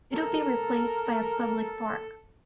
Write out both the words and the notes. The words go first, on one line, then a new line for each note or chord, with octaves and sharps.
It will be replaced by a public park.
A4 A#4